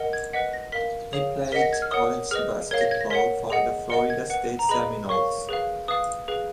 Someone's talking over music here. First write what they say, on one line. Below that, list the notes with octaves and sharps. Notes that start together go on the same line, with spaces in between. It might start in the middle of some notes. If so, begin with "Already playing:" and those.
He played college basketball for the Florida State Seminoles.
Already playing: A#4 D#5 F#5
G#6
B4 D#5 F#5 B6
A#6
A#4 F5 B6
G#4 C#5 F5
A#4 D#5 F#5 B6
A#6
G#6
F6
A#4 C#5 F#5 D#6
G#4 B4 D#5 F6
A#4 C#5 F5 G#6
A#6
G#6
A#6
A#4 C#5 F#5 B6
G#4 D#5 F#5
A#4 D#5 F#5 C#7
G#6
B4 F#5
A#5
G#4 B4 D#5 B5
A#4 C#5 F5 C#6
G#4 B4 F5
B4 F5 D#6
G#4 B4 F5